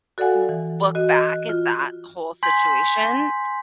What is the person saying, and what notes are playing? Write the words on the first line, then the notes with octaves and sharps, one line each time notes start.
w look back at that whole situation,
F#4 A4 D5 F5 F#5 G#5
E3
F#4 D#5
F#6
F4
G#5 C6 G6 G#6 B6 F#7